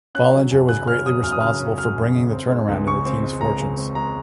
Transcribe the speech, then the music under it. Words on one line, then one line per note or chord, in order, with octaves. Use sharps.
Bollinger was greatly responsible for bringing the turnaround in the team's fortunes.
C#4 F#6
F#3
F#2
C#3 F#6
C#4 F6
F#3 D#6
F#2 F6
D#6
C#3 F6
C#4
F#3 F6
F#2
C#3
C4
G#3
C#2
C#3 C#6
C4
G#3
C#2 A#5
C#3
C4
G#3 A#5